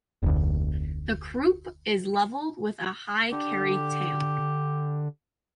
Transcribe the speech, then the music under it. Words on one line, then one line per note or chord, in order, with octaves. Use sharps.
The croup is level with a high-carried tail.
F1 D2
D3 G4